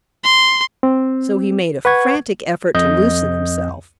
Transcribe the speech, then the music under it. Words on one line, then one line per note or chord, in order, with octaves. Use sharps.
So he made a frantic effort to loosen himself.
C6
C4
B4 F#5 C#6 G#6
F2 D#5 G6